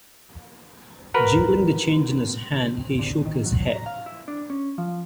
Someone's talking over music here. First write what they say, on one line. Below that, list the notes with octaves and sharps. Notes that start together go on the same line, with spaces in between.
Jingling the change in his hand he shook his head.
F#4 A#4 B4
D3
D#3
F#3
A#5
F5
E4
D4
C#4
F3